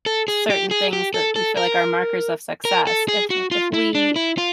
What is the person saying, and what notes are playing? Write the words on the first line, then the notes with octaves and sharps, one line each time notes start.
certain things that we feel, like, are markers of success. If if we
A4
G#4
G4
G#4
G4
A4
A4
A#4
A#4
A4
G#4
F#4
F4
E4
D4
E4
F4